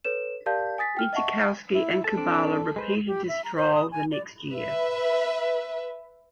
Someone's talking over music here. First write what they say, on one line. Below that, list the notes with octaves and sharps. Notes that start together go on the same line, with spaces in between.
Idzikowski and Kubala repeated this trial the next year.
A4 B4 C#5 E7
G4 A#4 D5 F5 A5 G6
G#5 D#6 A6 B6
G5 F6
D#5 E5 F#5 A5 C#6
E4
A4 A5
C4 D4 D5
G#3 B4 C5
G4
E5
A#5
C5
D#6
G#5
D5
B4 E5